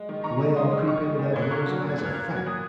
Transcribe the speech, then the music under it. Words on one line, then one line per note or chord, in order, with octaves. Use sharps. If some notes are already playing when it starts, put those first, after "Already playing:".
"The way I'll creep into that bull's-eye's a fact."
Already playing: G#3
D#3
D#3 A#5 C#6
G#3
G#3 C6 D#6
D#3
D#3 C#6 F6
G#3
A#2
A#2 G#6
F#6
A#3 C#6 F6
F#3
A#2
G#6
A#2 F#6
F6 G#6
A#3
F#3
G#6
A#2 D#6 F#6